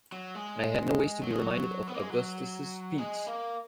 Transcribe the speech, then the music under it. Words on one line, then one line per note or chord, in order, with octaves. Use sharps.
I had no wish to be reminded of Augustus's speech.
F#3
G#3
F#3
G#3
F#3
B3
A#3
G#3
F#3
G#3
A#3